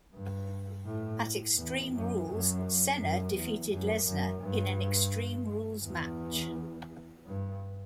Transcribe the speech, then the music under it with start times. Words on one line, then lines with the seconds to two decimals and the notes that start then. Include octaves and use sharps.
At Extreme Rules, Cena defeated Lesnar in an Extreme Rules match.
0.13 G2
0.85 A2
1.56 E2
1.92 F#2
2.27 F#2
2.99 F#2
3.35 E2
3.70 F#2
4.06 F#2
4.42 G2
5.84 E2
7.27 G2